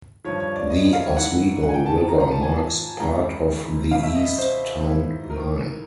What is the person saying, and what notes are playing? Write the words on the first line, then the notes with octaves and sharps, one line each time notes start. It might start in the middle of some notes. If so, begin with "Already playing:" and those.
The Oswego River marks part of the east town line.
G2 D3 F3 C#5
C#5
D5
D#5
F5
G#2 E3 F#5
F#5
G#5
G5
A5
A5
G#2 F3 A#5
A#5
A5
G#5
A5
C#2 C#3 E3 A#5
C#2 B2 F5
E5
D#5
C5
G#2 E3
A#4